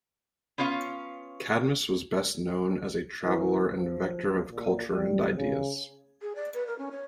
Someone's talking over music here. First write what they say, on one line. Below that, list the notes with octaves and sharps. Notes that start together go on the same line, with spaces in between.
Cadmus was best known as a traveller and vector of culture and ideas.
B3 C#4 F4 C#5 F5
E3
F3
A#2
G3
C#3
G#4
D5
B4
A#4
C#4
C#5